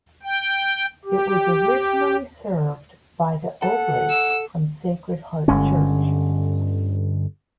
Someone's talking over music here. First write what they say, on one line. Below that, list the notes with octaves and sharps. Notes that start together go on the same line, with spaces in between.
It was originally served by the Oblates from Sacred Heart Church.
G5
G4
A4 F#5
E6
G1 D3 G#3 C#4